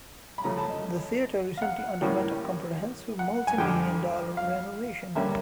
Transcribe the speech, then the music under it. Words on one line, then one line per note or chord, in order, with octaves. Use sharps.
The theatre recently underwent a comprehensive multimillion-dollar renovation.
B5
F#2 C#3 F3 A3 C#4 A#5
A5
D#5
F5
F#5
A2 E3 G3 A#3 C#4
F#5
G#5
F2 D3 F3 G5
F5
F#2 D3 G3 A#3 C#4 E5